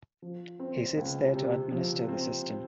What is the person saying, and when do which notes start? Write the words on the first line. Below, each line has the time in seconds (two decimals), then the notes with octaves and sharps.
He sits there to administer the system.
0.22 F3
0.60 C4
0.97 C#2
1.34 C3
1.71 F3
2.09 C4